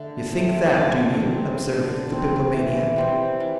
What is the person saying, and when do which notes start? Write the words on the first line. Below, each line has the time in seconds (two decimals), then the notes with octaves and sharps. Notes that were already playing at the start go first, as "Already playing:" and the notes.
"You think that, do you?" observed the Bibliomaniac.
Already playing: D3 A3
0.32 A3 C4
0.76 D3 D5
1.20 F#3 C4
1.64 D3
2.08 F#3 C4
2.53 E3
2.96 G3 C4
3.40 E3